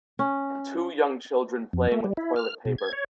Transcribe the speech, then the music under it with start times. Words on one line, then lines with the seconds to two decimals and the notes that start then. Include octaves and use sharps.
Two young children playing with toilet paper.
0.19 C#4
1.73 F2
1.92 A3
2.04 G3
2.17 E4
2.36 F6
2.65 B2
2.78 G#6
2.93 C#5